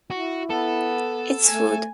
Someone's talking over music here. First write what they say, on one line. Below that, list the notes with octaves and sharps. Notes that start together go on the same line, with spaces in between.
It’s food.
E4 F#4
B3 A4
A3 G#5